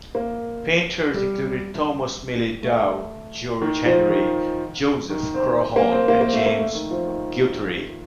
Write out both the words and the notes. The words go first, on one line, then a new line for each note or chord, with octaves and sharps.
Painters included Thomas Millie Dow, George Henry, Joseph Crawhall and James Guthrie.
A#3
G3
A3
D#3
F3
D#3
D#3
C4
A#3
C4
A#3
A#3
A3
A#3
A3
D#3
F3
D#3